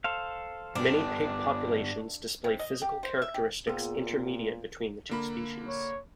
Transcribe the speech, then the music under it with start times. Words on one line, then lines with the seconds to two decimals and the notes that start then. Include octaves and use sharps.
Many pig populations display physical characteristics intermediate between the two species.
0.04 A4 C5 F5
0.75 G2 B3 D4 G4
2.44 C3
2.59 D#5
2.82 G4
3.03 C5
3.22 E5
3.34 G4
3.67 A#2 B3 F4 G#4 G5
5.09 D3 A#3 B5
5.68 C#5